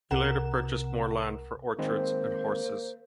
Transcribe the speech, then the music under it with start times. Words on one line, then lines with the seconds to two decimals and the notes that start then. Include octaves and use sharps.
He later purchased more land for orchards and horses.
0.11 C2 C3 A#4 F#5 E7
1.79 D#3 G#3 A#3 C4 C5